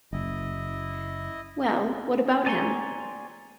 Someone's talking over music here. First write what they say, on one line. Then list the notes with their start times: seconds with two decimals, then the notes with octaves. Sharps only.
Well, what about him?
0.13 F#1 E4 D#5
2.46 D5 G#5 A#5 C6 C#6